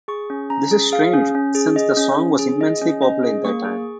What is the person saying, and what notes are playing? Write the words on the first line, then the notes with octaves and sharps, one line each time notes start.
This is strange since the song was immensely popular in their time.
G#4 C#6
C#4
C#4 A#5
G#4
G#4 F5
C#4
C#4
G#4
G#4 D#5
C#4
C#4
G#4
G#4 D#5
C#4
C#4 D#5
G#4
A#3 C#6
G#4